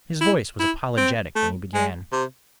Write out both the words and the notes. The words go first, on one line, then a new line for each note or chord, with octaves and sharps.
His voice was apologetic when he began.
E4
E4
C4
A3
G#3
C3